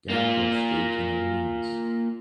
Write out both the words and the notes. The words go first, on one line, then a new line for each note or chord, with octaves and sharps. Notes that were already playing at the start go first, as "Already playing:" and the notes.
Gaucourt street in Orleans.
A#3 F4